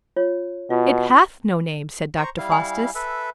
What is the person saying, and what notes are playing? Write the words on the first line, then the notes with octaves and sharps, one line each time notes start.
"It hath no name," said Dr. Faustus.
F4 C#5
B2 F4
C5 A#5 C#6
G3 E4 F5
G#5
A4 B4 E5